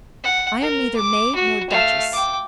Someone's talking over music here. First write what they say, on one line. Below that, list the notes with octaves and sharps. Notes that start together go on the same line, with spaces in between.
I am neither maid nor duchess.
F#5
A#4
D6
F#4
A3 F5
G5 D6